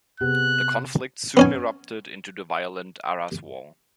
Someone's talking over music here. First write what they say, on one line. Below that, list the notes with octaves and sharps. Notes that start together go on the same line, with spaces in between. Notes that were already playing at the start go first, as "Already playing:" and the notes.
The conflict soon erupted into the violent Aras War.
C3 B3 G#4 F#6
B3 C#4 G#5